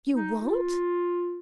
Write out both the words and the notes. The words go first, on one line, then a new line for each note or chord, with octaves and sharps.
"You won't!"
D#4
F4